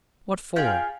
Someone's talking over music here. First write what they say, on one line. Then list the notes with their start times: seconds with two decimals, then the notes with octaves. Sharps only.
"What for?"
0.56 C#4 F4 G#4 G5